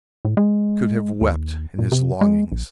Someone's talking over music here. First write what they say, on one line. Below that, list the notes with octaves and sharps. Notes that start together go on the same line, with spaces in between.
He could have wept in his longings.
A2
G#3
D#2
A#2
C3
G#3
A#1